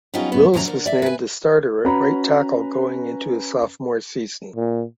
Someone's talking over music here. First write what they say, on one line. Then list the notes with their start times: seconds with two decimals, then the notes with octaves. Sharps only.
Wills was named the starter at right tackle going into his sophomore season.
0.14 F#3 G3 B3 C#4 D#4 F4
0.32 F#2 A#2 B3
0.54 E2 F#3 C#4 G#4 A#5
0.65 D3 A#4
0.86 D5 E5
1.02 B4 G#5
1.85 C#4 F#4 B4 A#5 B5
4.56 A#2